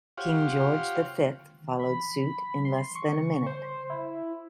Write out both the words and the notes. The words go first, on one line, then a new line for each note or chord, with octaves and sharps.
"King George the Fifth" followed suit in less than a minute.
F4 G4 C5 C#5 F5 F#5
B5
C6
C#6
C5
E4